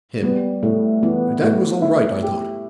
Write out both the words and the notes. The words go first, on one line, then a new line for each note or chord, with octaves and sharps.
HIM: That was all right, I thought.
G3 B3
A2 A3
E3 B3
A2
E4
G4